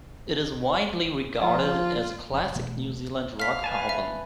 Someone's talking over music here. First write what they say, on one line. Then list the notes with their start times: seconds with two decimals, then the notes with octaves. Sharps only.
It is widely regarded as a classic New Zealand rock album.
1.39 F3 F4
2.32 F1 C#3
2.56 B2 E3 A3 B3
3.40 F5 F6 B6
3.64 B4 G#5 A5
3.89 E5